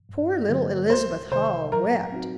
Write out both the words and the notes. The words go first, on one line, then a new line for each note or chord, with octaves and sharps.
Poor little Elizabeth Hull wept.
G2
D3 F#3 A#3
C2 C5
C3 D#3 C5
F#3 A#4
C4 D#4 F#4